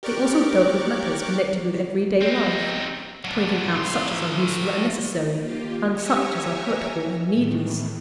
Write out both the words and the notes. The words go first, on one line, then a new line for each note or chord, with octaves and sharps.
They also dealt with matters connected with every-day life, pointing out such as are useful and necessary, and such as are hurtful and needless.
G4 A#4 D5 C#6 D6 F#6
C4 D#4
F#3 D4
A2 C6
A#3 F4 G4
G4 C#5 E5 G#5 A#5 C#6
A2 D#3 E3